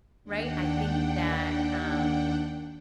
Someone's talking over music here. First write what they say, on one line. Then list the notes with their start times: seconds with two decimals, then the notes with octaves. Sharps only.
right? I think that, um,
0.23 D#2 D4 F#5 G5